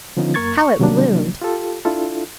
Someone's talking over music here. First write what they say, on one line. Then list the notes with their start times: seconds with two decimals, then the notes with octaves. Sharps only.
How it bloomed!
0.17 D3 F3 B3 C#4 D#4 F4
0.34 F#2 A#3 A#4 C#6 G#6 A6
0.56 C#6
0.80 C3 D#3 F#3 G3 A#3 D4
1.41 F4 G4 A4
1.85 D4 E4 F4 A4